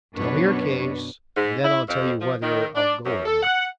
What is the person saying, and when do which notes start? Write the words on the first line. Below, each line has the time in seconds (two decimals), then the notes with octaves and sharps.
Tell me your case, and then I'll tell you whether I'll go or not.
0.16 F#2 B2 D4 B4 C#5
1.36 G#2
1.64 E4
1.88 F2
2.20 F3
2.42 D#3
2.76 D4
3.05 F#2
3.26 A4
3.43 F#5